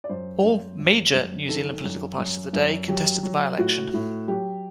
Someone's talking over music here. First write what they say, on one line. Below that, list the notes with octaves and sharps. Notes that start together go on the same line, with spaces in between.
All "major" New Zealand political parties of the day contested the by-election.
D5
F#2 C5
F#2
F#2
F#2
D#3 A4
F#2
F#2
F#2
F#3 G4
F#3
A2 F#4
A2
F#3 G4